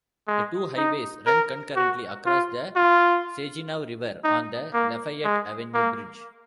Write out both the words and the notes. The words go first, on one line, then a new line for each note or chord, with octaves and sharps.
The two highways run concurrently across the Saginaw River on the Lafayette Avenue Bridge.
G#3
D#4
A#4
F#4
F4
F4
D#4
A#3
G#3
A#3